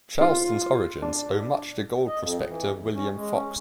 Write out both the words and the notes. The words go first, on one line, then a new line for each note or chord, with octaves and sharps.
Charleston's origins owe much to gold prospector William Fox.
F4
D4
D#5
F2
E3
E2
C#4
G#3
C#4